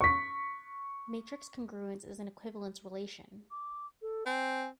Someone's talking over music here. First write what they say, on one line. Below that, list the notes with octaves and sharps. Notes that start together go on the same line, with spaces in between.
Matrix congruence is an equivalence relation.
C#6 B6
D6
A4
C4 G#5